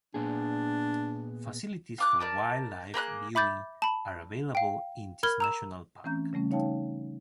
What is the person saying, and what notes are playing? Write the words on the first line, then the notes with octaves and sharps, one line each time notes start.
Facilities for wild life viewing are available in this national park.
A#2 B3 D4 G#4
F4 D6 F#6
A#4 D5 A5
A#3 G#4 B5 F#6
E5 B5 D6 G6 A6
A5 B5
F5 G5
A#4 B5 F6 G#6 G7
A#5 E6 E7
E3 A3 C4 C#4 A#5 G6
C#3 G3 A3 C#4
D#4 C#5 F5 G5 A5